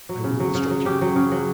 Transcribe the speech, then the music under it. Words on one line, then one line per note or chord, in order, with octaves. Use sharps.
I will instruct you.
F#3
C#3
F#3
C#3
F#3
C#3 G4
F#3
C#3
F#3